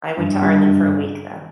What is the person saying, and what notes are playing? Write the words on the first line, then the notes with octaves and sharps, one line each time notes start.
I went to Ireland for a week, though.
G2
D3 G3 D4
G2